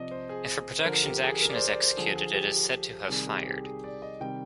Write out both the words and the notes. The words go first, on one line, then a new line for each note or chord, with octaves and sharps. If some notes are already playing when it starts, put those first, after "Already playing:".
If a production's action is executed, it is said to have "fired".
Already playing: C3 F3 D5 D#5
C5
G#4
C5
D3 F3 A#4
G4
G#4
A#4
D5
C5
D5
C5
D3 F3 G#4
G#4
G4
C3 D#3 G3 G#4
G4
G#4
G4
G#4
D5
D#5
C3 D#3 G3 G5